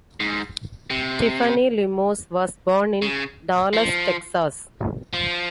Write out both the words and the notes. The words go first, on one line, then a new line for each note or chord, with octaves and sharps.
Tiffany Limos was born in Dallas, Texas.
G#2
C3
C#3
F3
F3